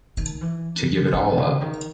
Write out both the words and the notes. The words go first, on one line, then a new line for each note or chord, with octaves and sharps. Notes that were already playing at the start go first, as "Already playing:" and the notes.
To give it all up.
D#3
E3
D#3
B2
C#3
D#3